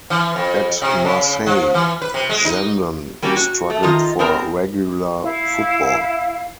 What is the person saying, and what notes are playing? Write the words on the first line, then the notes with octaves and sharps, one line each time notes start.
At Marseille, Zenden struggled for regular football.
E3
F2
C3
C#3
F3
E3
B4
C3
G#3
D#4
G3 A#3 C#4 F#4 G4
F#4
A3
D#3 F4 D#5 A#5
B3 C4 A#4 A#5
E4 F5